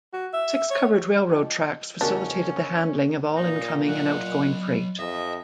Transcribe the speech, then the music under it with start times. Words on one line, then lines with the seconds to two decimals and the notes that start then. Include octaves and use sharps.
Six covered railroad tracks facilitated the handling of all incoming and outgoing freight.
0.13 F#4
0.34 E5
0.70 C#5
1.29 F3 D#5 G5 C#6
2.01 E2 C#3 C#4 D4 F#4 A#4 D#5 G#5
3.36 A#2 D#4
3.88 F#3 D#5 F#5
4.99 F2 D#5 E5